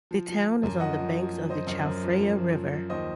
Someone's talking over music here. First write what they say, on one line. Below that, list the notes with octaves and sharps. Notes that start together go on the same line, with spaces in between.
The town is on the banks of the Chao Phraya River.
F3
F3
F3
F#2
F3 D#5 F#5
F3
F3
F3
F3 C5 D#5
F#2
F#2
F3
F3
F3
F3
F3
D#2 C5 D#5